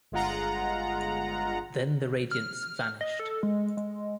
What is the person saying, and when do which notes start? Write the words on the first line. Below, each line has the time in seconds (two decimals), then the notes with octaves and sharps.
Then the radiance vanished.
0.12 G1 G#3 F4 F#5 A#5
2.31 F6
3.01 D#5
3.19 A4
3.43 G#3
3.77 G#3